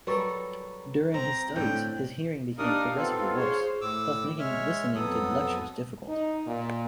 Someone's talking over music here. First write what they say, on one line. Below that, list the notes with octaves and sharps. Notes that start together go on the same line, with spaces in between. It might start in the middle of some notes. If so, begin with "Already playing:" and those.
During his studies, his hearing became progressively worse, thus making listening to lectures difficult.
F#3 G3 A4 B4 C#6 A#6
C4 A#5
A2 D3 G5
D4 D#4 G4 A#4 F5 D#6
B3 C4 F4 A4
G#4 C5 C#5
A2 D6 E6
G#3 C#5 E5 F6
F2 F#3 B3 A4 D#6
D#4
A#2